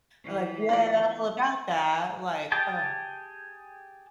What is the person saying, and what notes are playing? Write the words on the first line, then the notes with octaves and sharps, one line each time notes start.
Like, "Well, about that" like, "Ugh."
E3
B3 D4 F4 D5
G4 G#4 G5 A5